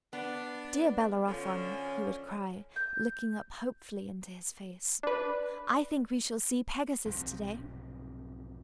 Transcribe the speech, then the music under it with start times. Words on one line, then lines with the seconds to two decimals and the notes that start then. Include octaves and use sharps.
"Dear Bellerophon," he would cry, looking up hopefully into his face, "I think we shall see Pegasus to-day!"
0.13 B3 D4
1.28 D3 F3 C#4
2.76 G6
5.03 D4 B4
7.05 B1 F2 G#2 C3